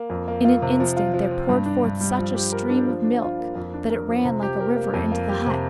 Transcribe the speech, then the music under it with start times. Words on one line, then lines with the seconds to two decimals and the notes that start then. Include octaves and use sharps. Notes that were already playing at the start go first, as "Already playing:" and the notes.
In an instant there poured forth such a stream of milk that it ran like a river into the hut.
Already playing: A#3
0.10 F2
0.28 A#3
0.45 F4
0.62 C3
0.80 F3
0.97 F4
1.14 F3
1.31 C4
1.49 G2
1.66 D4
1.83 G2
2.01 G3
2.18 F3
2.35 G4
2.52 A#4
2.70 D4
2.87 F3
3.04 D4
3.22 F4
3.39 A#3
3.55 F2
3.74 D4
3.90 A#4
4.08 F3
4.25 C3
4.43 G4
4.60 A#4
4.76 A#3
4.94 F2
5.12 A#3
5.29 G4
5.47 C3